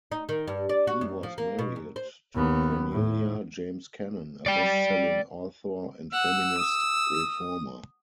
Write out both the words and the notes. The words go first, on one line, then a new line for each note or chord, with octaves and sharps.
He was married to Cornelia James Cannon, a best-selling author and feminist reformer.
D#4
D#3
G2
D5
F#4
F#2
F3
A#3
B2
F#2
C5
D#2 B3
A2
D5 G5
F#5 E6
D#6